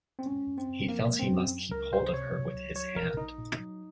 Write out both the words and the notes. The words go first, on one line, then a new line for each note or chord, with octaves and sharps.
He felt he must keep hold of her with his hand.
C4
G#3 C#4
F#2
C4
F#2
F3 A#3
G#3
C4
F#2
F#3
C#2 A#4
C#2 C5
C3 C#5
F#3
C#2
F#3 C#5
A#1 A#4
A#1 D#4
A#2
F#3